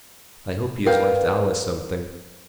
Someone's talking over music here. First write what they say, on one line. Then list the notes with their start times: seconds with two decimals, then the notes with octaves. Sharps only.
"I hope he has left Alice something."
0.86 A#4 B4 D5 F5 G5